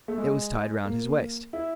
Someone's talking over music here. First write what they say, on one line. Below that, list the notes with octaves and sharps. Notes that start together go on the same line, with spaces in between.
It was tied round his waist.
A3
G#3
A#3
E4